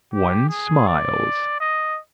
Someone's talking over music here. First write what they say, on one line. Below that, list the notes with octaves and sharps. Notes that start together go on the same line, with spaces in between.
One smiles.
G4
G#4
D5
D#5